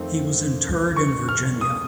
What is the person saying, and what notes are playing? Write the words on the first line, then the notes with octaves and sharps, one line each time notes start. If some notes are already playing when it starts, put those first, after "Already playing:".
He was interred in Virginia.
Already playing: F2 D#3 A3 C4
C#6
F6
D#6